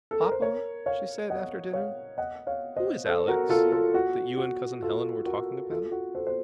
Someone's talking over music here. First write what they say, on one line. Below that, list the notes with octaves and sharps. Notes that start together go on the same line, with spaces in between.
"Papa," she said, after dinner, "who is Alex, that you and Cousin Helen were talking about?"
A4
A#4
C5
A#4 C#5
C#5 F5
D#5 F#5
C#5 F5
D#5 F#5
C#5 F5
C5 D#5
A4 C5
F#4 A#4
F4 A4
F4 A4
F#4
F#4
F4 A4
F#4 A#4
F4 A4
F#4
A4 C5
C5